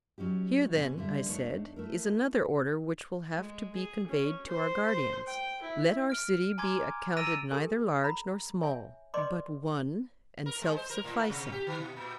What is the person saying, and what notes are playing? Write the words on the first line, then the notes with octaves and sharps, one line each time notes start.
Here then, I said, is another order which will have to be conveyed to our guardians: Let our city be accounted neither large nor small, but one and self-sufficing.
F#3 C#4 D#4 G4
G#2 B2 C4 A4 B4 G#5
D3 G3 E5
E2 A3 D4 D#4 C#5
A3 E4 A#4
G#3
G#4
C#4
C5
C5
G5
E4
F6 D7
G#5 A#5 C6 D6 G#6
A#5 E6 A6 A#6 D7 D#7
G4 A4 A#4 G#5
A#5 B5
C#5 E5 G#5
B4 D5 D#5 C6 D6
A#4
G#3
C5
A#4
A2
A#3
C3
G4
D#3
B2
A#2